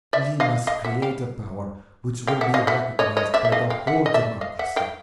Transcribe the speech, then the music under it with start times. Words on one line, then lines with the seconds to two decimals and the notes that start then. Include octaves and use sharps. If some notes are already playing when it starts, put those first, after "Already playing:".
We must create a power which will be recognised by the whole democracy.
0.13 D5 E5
0.40 D#5 F5
0.67 D#5 F5
0.84 E5 F#5
1.02 F5 G5
2.27 F5 G5
2.41 E5 F#5
2.54 D#5 F5
2.67 E5 F#5
2.99 C#5 D#5
3.17 C#5 D#5
3.34 D5 E5
3.45 E5
3.52 D#5 F5
3.70 F5 G5
3.87 E5 F#5
4.06 D#5
4.14 D5 E5
4.41 D#5 F5
4.59 E5 F#5
4.76 F5 G5